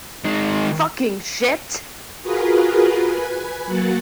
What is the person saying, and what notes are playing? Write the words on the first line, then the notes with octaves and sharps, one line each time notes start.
Fucking shit!
D#3 G#3
F4 F#4 G#4 A#4 B4
B4 G#5
F#3 A#3 F#4 A6